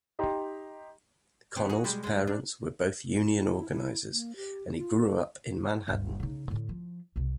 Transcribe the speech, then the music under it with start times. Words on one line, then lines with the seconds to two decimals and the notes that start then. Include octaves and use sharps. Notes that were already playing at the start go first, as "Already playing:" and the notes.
Conal's parents were both union organizers, and he grew up in Manhattan.
0.19 D#4 G4 A#5 C6
1.56 D#3 B3 C4
1.70 F#4 G#4
1.84 B2 G3 G#3
2.04 D3 G#3
2.27 D4
3.33 E4
3.70 E4
4.11 A#3
4.36 G4
4.74 F4
4.99 A4
5.88 G1 D2
6.20 C#3 D#4
6.50 A2 D3
6.69 F3
7.16 C2 C3